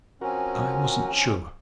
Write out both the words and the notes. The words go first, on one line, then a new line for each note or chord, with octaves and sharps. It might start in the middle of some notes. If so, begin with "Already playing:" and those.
I wasn't sure.
F3 C4 C#4 F#4 A#4 G#5